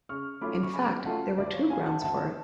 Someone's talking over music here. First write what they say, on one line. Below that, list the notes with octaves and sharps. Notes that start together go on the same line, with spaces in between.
In fact, there were two grounds for it.
C#3 C#6 F6
F#3 A3 C#4 F4 B5 D6
C#6
C#3 G#5 B5
F#3 A3 C#4 F4 F#5 A5
D2 D5
C#5 F5
C#3 F#3 F5 G#5
F#5 A5
D2 F#5 A5